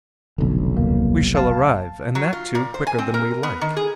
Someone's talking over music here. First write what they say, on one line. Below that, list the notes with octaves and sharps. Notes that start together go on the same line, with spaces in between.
"We shall arrive, and that, too, quicker than we like."
F1 B1 D3
D#2 A#3
F5 A5
F#3
F4
A#2
C5
G#5
C4
A#4
B3
D#3
G#4